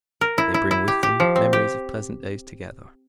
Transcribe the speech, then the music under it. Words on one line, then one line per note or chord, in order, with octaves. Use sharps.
They bring with them memories of pleasant days together.
A#4
E4
E4
E4
G4
G4
F3
C4
G4